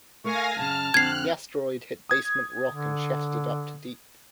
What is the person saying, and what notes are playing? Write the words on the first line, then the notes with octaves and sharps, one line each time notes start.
The asteroid hit basement rock and shattered it up to deep.
A3 A#4 F5 G#5 C#6 A#6
F#2 C#3 A5 F6
F2 D3 C4 F6 F#6 G#6 C7
D#6 G#6
D3